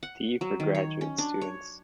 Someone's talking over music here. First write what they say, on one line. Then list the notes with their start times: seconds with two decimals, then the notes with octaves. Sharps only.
D. for graduate students.
0.03 F#5
0.41 F#3
0.60 D#3
0.75 C#5
1.01 C#4
1.18 D4
1.41 C#5